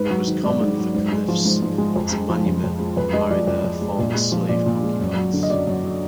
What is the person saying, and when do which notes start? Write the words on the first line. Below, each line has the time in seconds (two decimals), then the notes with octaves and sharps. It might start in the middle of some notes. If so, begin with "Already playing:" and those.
It was common for Caliphs to manumit and marry their former slave concubines.
Already playing: G#2 B4
0.11 F#3
0.27 D#3
0.44 G#2 D5
0.61 G#2
0.78 F#3
0.95 G#2
1.12 G#3
1.28 F3
1.45 G#2
1.62 G#2
1.78 G#3
1.96 F2
2.12 G#3
2.29 F3
2.46 F2
2.64 F2
2.80 G#3
2.97 F2 B4
3.13 G#3 D#5
3.30 F3 D5
3.47 F2 D5
3.64 F2
3.82 G#3
3.99 A#2
4.15 G#3
4.32 F3
4.49 A#2 D5
4.66 A#2
4.83 G#3
4.99 F#2
5.16 F#3
5.34 D3
5.43 D#5
5.50 F#2 D5
5.67 F#2
5.84 F#3